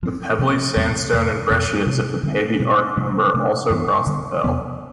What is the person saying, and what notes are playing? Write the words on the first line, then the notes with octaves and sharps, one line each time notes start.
The pebbly sandstone and breccias of the Pavey Ark Member also cross the fell.
G2 F3 C4
C3 F3 B3
E2 C3 G3 C4
F2 C3 F3
F2 C3 F3 B3
C3 F3 C4
D3 G3 C4
B2 G3 C4
C3 F3 A3
C3 F3 A3 D4
G2 E3 B3 D4
D3 G3 B3
E2 C3 F3 B3